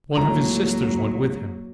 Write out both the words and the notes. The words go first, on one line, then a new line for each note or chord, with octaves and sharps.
One of his sisters went with him.
C#2 A2 F#3 A#3 A#5